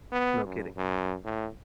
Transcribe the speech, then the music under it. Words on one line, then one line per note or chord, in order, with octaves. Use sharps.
No kidding.
B3
F#2
F#2
A2